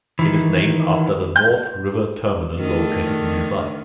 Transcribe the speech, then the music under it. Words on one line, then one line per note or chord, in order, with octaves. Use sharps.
It is named after the North River Terminal located nearby.
D#3 E3
G6
D3 D#3 A3